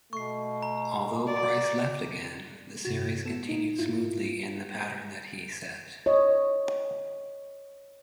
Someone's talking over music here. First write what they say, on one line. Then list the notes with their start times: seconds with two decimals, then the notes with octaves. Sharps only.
Although Price left again, the series continued smoothly in the pattern that he set.
0.13 B2 A3 C#6 C7
0.62 A#5
1.26 F#4 D5
2.85 G2 C3 F#4
3.25 B3 A4 E7
3.49 D#4
3.78 G#2 E4 F4
6.06 C#5 D#5